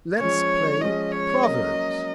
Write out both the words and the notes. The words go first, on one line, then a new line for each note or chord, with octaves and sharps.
"Let's play proverbs."
F3 G#3 C#4 C#5
F3 G#3 C#4 D#5
C#5
F#3 A#3 C#4 D#5